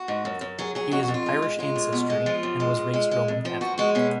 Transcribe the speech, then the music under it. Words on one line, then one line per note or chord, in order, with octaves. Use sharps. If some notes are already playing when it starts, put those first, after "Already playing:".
He is of Irish ancestry and was raised Roman Catholic.
Already playing: F#4
G#2
F#2
F#2
F#3 G#4
F#3 G#4
F2 F#4
F#4
F2
F4
G#3
G#3
G#3 F4
F#2
B2
G#3
F3 F4
F#2
G#3
G#3
G#3
G#3
F2
F3
F3 F#4
G#3 F#4
B2 C#4